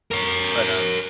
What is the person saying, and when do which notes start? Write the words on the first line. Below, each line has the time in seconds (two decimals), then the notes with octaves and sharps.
But, um,
0.11 A#4 C#5